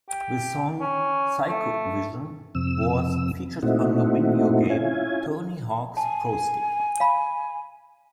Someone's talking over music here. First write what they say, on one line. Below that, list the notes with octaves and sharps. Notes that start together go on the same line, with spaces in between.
The song "Cyco Vision" was featured on the video game "Tony Hawk's Pro Skater".
G4
C#4
A3
F2 C3 E6
A#2 A3 C4 D#4 E4 F#4
C#4 E4 F4 G#5
G#5 A5
F5 B5